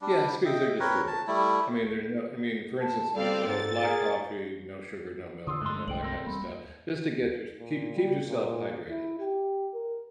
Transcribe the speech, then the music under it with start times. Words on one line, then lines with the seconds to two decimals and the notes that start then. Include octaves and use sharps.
Yes, because they're just fluids, I mean, there's no I mean, for instance, you uh, black coffee, no sugar, no milk, you know, that kinda stuff, just to get your keep keep yourself hydrated,
0.02 G3 D4
0.45 D#5 E5 G5
0.80 C4 A#4 B4 C#5
1.07 A5
1.27 G3 A3 E4
2.80 A5
3.15 G3 C4 A4 D5 F5
3.46 G#2 A6
3.83 G#4 A#4
5.47 D3 F4 D#6 E6
5.61 G2 D3 G#3 A3 C6
5.88 C2 G5 D7 F#7
6.03 C4 A4 A#4
6.27 G3 A#3 B5
7.59 A#2
7.95 G3
8.27 A#2
8.90 E4
9.19 G4
9.74 A#4